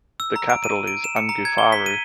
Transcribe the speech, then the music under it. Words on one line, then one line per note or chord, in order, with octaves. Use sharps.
The capital is Ungoofaaru.
E6
A#5
D7
D#7
D7
E7
C#7
A#5
G#6
G7
B6
D#7